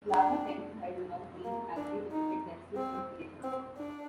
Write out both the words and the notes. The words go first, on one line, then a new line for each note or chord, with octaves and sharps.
Larva tend to hide among green algae to protect themselves from predators.
D4
A#3
D4
D#4
C4
C4
D4